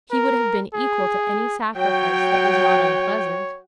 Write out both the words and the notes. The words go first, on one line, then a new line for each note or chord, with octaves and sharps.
He would have been equal to any sacrifice that was not unpleasant.
A#4
G#4
F#3 C#5 G5